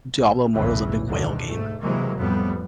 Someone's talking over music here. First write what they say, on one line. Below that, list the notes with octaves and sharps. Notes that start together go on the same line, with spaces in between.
Diablo Immortal's a big whale game
A#1
B1 E2 A2 C#3 E3
D2 G2 B2 D3 D#3
G#2 A3
C3 E3 F#3 G#3 A#3
F2 A2 G3 B3